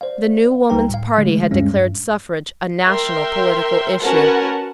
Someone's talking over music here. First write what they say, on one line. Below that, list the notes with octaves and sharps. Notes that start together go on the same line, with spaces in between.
The new Woman's Party had declared suffrage a national political issue.
C5 D5 F5
C#2 G3 D#4 B4 G5 A#5
A2 F5
D3 G#3 A3
D2 G2 G3 G#3 C#4
G2
A#4 E5 G5 C6
C#4 F#4 A#4 B4 F#5 A5